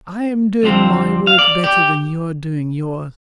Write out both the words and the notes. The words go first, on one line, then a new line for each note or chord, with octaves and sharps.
"I am doing my work better than you're doing yours."
F2 D3 F3 C4
F5
D5
G4